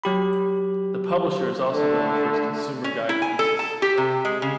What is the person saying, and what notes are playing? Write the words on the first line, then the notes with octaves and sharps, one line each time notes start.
The publisher is also known for its consumer guide pieces.
F#3 G4 B5
D3 A3
C#4
E4
G#5
A4
A5
G4
C3
G#3
C#3